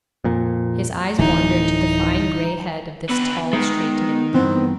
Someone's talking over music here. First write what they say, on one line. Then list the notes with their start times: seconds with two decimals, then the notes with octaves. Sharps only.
His eyes wandered to the fine gray head of this tall, straight man.
0.24 F2 A#2
1.19 D1 E3 D#4
3.09 D3 B3 B4
3.53 D#3 G#3
4.34 G2 E3 B3 C4